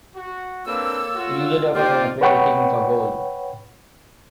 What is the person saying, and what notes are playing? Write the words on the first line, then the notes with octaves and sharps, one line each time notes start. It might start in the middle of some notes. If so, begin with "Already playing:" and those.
It usually occurs when a player is kicking for goal.
F#4
A#3 C4 D4 A4 B4 C#5 E6
F4 F#4
A#3 D#4 F4 G4 C5 D5
B4 C#5 F#5 G5 B5 C#6